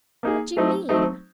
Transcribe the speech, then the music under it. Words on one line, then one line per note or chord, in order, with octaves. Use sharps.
"What do you mean?"
A#3 D#4 G#4
F#3 A3 C4 D#4
F#3 A3 C4 D#4